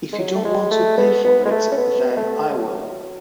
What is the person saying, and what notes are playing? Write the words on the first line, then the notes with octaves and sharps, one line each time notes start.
If you don't want to pay for it then I will.
G#3
F#3
A3
G#3
A3
B3
B3
G#3
A3
C#4
B3
B3
A3
G#3
F#3